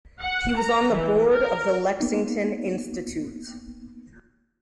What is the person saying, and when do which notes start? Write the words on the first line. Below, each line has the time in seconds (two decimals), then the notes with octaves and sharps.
He was on the board of the Lexington Institute.
0.20 F#5
0.57 A#5
0.91 E3
1.29 A#4
2.00 A#3 B3 D#4